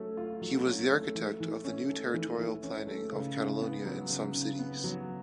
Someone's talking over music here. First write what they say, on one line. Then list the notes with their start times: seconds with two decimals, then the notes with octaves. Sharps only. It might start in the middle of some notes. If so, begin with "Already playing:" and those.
He was the architect of the new territorial planning of Catalonia and some cities.
Already playing: F#3 A3 C#4
0.17 F4
0.41 F#3
0.66 C#4
0.91 A3
1.15 E3
1.40 E3
1.64 C#4
1.89 A3
2.14 E3
2.38 E3
2.63 C#4
2.87 A3
3.12 C#3
3.37 C#3
3.61 B3
3.85 F#3
4.10 C#3
4.35 C#3
4.59 B3
4.84 F#3